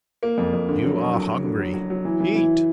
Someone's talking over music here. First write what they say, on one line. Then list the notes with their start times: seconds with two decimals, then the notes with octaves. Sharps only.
"You are hungry; eat!"
0.23 A#3
0.38 F2
0.53 F2
0.68 D3
0.84 F#3
0.98 F#3
1.13 F#3
1.30 F#3
1.44 D3
1.59 F#3
1.74 F#3
1.90 F#3
2.05 E3
2.20 E3
2.35 E3